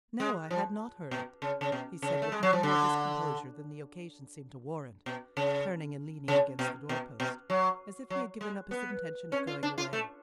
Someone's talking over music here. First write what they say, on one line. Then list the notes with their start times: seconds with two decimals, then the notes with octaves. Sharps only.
"No, I had not heard it," he said, with no more discomposure than the occasion seemed to warrant, turning and leaning against the doorpost, as if he had given up his intention of going away.
0.20 G#3
0.51 F3
1.11 B2
1.42 C#3
1.61 C#3
1.72 B2
2.02 C#3
2.22 A3
2.32 G#3
2.43 F#3
2.53 F3
2.63 D3
5.06 B2
5.37 C#3
6.28 C#3
6.59 B2
6.89 B2
7.20 B2
7.50 F#3
8.10 F#3
8.41 G#3
8.71 B3
9.32 C#4
9.47 F4
9.63 D4
9.78 F4
9.93 A3